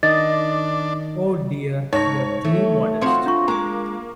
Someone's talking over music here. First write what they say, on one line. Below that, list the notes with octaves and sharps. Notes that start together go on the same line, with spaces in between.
Oh, dear, you are too modest.
D#3 D4 D#5 A6
G#2 D#4 C#5 C#6 A#6
A3
F3 C4 F#4 C#5
D4 F4 C#6
G#3 A#3 A#5 D6